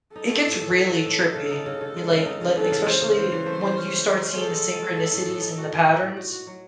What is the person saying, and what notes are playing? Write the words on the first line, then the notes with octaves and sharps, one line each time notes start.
It gets really trippy. You like li especially when you start seeing the synchronicities and the patterns.
D#4 A4
A3
A2
A2
D#4
E3
A2
D#4
C#3
D#4
C#3
C#3
G#3
C#3
D#4
C#3
E3 A4
C#3
C#3 C5
C#3
E3
E3
A3
E3
C#4
G#3
G#3
C#4
G#4 A4
G#3
G#3
G#3
A2
A2
A2
D#4
F#4
D#4
A2
A2
F#4
F#4
F#3